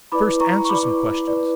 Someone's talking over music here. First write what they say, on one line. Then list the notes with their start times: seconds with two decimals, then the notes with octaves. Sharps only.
First answer some questions.
0.12 E4 B4 D5 B5 D6
0.40 A#5 C#6
0.65 C#6
0.69 E4 B4 D5 B5 D6
1.27 E4 B4 D5